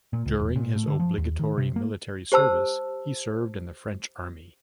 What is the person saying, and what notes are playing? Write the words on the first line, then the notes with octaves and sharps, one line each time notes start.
During his obligatory military service he served in the French Army.
A#2
C#2
E1
A#2
A2
D3
F3
D#2
D#3
C3
A#3
G4 C5 A5 E6